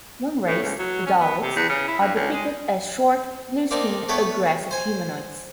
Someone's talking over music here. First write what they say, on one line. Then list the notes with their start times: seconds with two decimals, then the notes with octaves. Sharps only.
One race, the Daleks, are depicted as short, blue-skinned, aggressive humanoids.
0.47 A2
0.63 C#2
0.78 F#3
1.06 C#4
1.20 B3
1.42 C3
1.56 E2
1.69 C#3
1.88 E4
2.00 G2
2.15 C#2
2.33 G#3
3.71 A#3 C4 D4 D#4
4.09 A3 B3 A4 B4 C#5 G5
4.71 C5 G#5